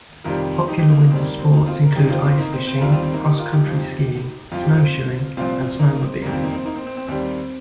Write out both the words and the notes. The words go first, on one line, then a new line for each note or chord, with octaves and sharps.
Popular winter sports include ice fishing, cross-country skiing, snowshoeing, and snowmobiling.
F2 C3 D#3 G3 F4 A#4
D#4 G4
D#4 G4
A#3 D#4
A#3 D#4
D#2 D#3 G3 C4
A#3
C4
A#3 D#4
C4 F4
A#4
F2 C3 D#3 G3 D#4 G4
C4 F4
C4 F4
A#3 D#4
C4
C4
D#2 D#3 G3 F4 A#4
C4 F4
C4
A#3 D#4
D#4 G4
F4 A#4
D#4 G4
F2 F3
F2 F3 F4
G4
C4 F4
C2 A#2 F3 C4 F4
A#3 D#4
C4
F2 D#3 G3 A#3
C4 F4
A#3 D#4
C4
A#3 D#4
C4
C4
C4
D#2 D#3 G3 C4